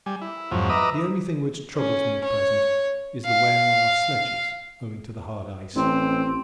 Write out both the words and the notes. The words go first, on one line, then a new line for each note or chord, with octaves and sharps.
The only thing which troubles me at present is the wear on our sledges owing to the hard ice.
G3 G#5
E4
F2 G#2 F3 F#3
B4 D#5 E5 A#5 D6 D#6
C#4
C#5
F5
A1 C4